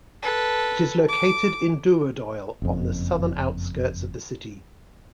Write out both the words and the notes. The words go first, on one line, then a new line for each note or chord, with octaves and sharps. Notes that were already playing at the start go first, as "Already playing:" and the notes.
It is located in Dooradoyle, on the southern outskirts of the city.
A4 B4
D6
F#1 F2